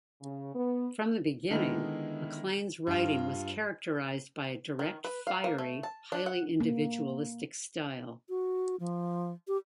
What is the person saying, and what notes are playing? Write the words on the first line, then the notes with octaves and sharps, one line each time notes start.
From the beginning, MacLane's writing was characterized by a direct, fiery, highly individualistic style.
C#3
B3
D3 D#3 G#3 B3 D#4 E4
G2 F4
D#3
B4
F5
A#3
A3
A5
D4
F#5
A#3
F#4
F3
G4